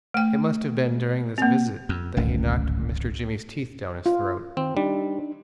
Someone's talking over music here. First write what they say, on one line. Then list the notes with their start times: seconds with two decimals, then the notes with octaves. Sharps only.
It must have been during this visit that he knocked Mr Jimmy's teeth down his throat.
0.14 A3 G5
1.38 A#3 C4
1.89 F2
2.17 D1 G#1 C#2 A3 C#4
4.06 F4
4.57 D#3 C4
4.77 G3 D4 D#4